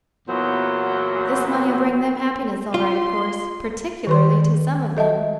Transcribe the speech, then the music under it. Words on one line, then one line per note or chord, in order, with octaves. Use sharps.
This money'll bring them happiness all right, of course,--particularly to some of them.
E2 A#2 E3 F#3 B3 C5
F4 C6
D#3 B4 C6
A4 D#5 E5 A5